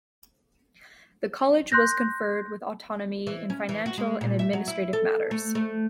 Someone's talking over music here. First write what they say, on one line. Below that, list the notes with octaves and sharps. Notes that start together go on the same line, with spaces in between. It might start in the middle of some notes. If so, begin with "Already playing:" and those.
The college was conferred with autonomy in financial and administrative matters.
C6 F#6 G6 A#6
E3
C#4
E3
F#4
G#3
A#2
E5
F#3
E4
A4
A3
A3